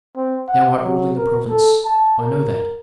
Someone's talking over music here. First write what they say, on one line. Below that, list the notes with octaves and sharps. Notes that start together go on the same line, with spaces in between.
Thou art ruling the province--I know that.
C4
F#5
F#3
A#4
A4
A5
A#4